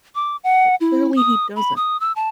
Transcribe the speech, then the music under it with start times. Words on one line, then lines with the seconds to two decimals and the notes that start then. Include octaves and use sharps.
But clearly, he doesn't.
0.15 D6
0.44 F#5
0.81 E4
1.16 D#6
1.56 B5
1.76 D#6
2.00 E6
2.16 A5